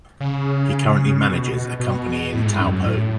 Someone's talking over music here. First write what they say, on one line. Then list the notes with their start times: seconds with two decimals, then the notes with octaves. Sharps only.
He currently manages a company in Taupo.
0.21 C#3
1.20 C#3
1.26 B2
1.80 B2
2.33 A2
2.46 G#2
2.59 F#2
2.73 F#2
2.85 A2